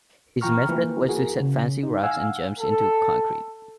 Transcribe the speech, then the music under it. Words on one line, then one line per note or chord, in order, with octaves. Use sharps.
His method was to set fancy rocks and gems into concrete.
E3 F4 G5 A#5 C#6 F6
E3 A#3 B4
F#4 G#4 A#4
C#3
D#4
F5 F#5 G#5 E6
A4